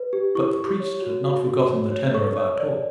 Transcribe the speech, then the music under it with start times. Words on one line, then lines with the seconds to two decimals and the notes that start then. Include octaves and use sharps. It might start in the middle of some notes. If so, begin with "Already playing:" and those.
But the priest had not forgotten the tenor of our talk.
Already playing: B4
0.13 G4
0.35 E4 C#6
0.58 G4
0.80 C#5
1.02 F#4
1.24 F#4
1.47 F#4
1.69 C#5
1.92 C#5
2.14 A4 C#6
2.37 C#5
2.59 D5